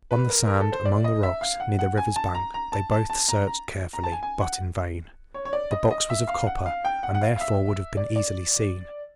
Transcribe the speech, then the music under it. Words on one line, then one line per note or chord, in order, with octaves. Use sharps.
On the sand, among the rocks, near the river's bank, they both searched carefully, but in vain. The box was of copper, and therefore would have been easily seen.
B4
A#4
A#4
A4
C5
D5
D#5
E5
F5
F#5
F#5
G#5
A5
A#5
A#5
A5
A5
A5
A#5
A#5
A#5
A5
G#5
G#5
F#5
C#5
C#5
D5
D#5
D#5
E5
F5
F#5
F5
G5
F#5
F#5
F5
F5
E5
D5
D5